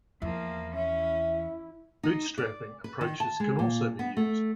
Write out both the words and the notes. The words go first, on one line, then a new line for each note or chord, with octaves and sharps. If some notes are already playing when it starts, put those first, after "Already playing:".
Bootstrapping approaches can also be used.
E2 F3 A#3 E4
C#4 E5
D#4
D5
B4
D#3
A5
G#3
A#2
B3
A3